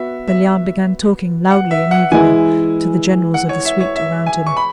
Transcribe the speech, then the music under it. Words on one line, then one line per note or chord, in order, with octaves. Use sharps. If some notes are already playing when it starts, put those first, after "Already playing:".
Belliard began talking loudly and eagerly to the generals of the suite around him.
Already playing: B3 F#4 E5
E5
F#5
E5
F#5
E3 G#3 E4 G#5
F#5
C#5
E5
C#5
E5
G#5
C#6
B5